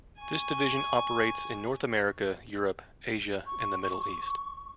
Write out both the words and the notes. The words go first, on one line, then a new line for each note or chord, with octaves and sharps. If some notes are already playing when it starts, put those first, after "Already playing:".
This division operates in North America, Europe, Asia and the Middle East.
G#5 C#6
C#6